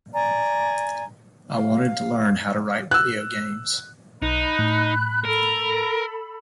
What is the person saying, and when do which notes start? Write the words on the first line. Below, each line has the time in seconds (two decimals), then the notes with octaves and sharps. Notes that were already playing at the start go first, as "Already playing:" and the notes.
I wanted to learn how to write videogames.
0.13 D5 G#5 A#5
1.51 F5
2.91 E6 F#6
4.22 B1 D#4 B5 F#6
4.59 A2
5.25 A4 A#4 B5